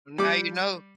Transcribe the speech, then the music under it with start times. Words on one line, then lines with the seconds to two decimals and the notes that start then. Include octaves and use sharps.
Now you know.
0.18 G3 D6